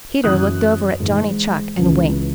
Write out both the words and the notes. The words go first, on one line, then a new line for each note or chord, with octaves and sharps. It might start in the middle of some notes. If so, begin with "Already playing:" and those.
Peter looked over at Johnny Chuck and winked.
F#2 E3 D#6 F#6
G#2 E3
C#2 C#3 E3